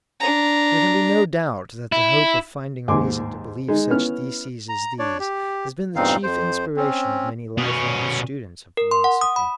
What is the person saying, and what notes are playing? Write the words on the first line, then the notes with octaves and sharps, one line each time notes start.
There can be no doubt that the hope of finding reason to believe such theses as these has been the chief inspiration of many life-long students of philosophy.
D4 A#5
E4
D#2 G#2 G#5 C6 D6
G#3 D#4
B3 C#4 E4 F6
A#5
D4 C#5 D5
G4
E2 G2 A#2 C4 D#4 F5
F2 C5
C4 C#4
B2 C#4
A#4
C6
F#5
D#6
B5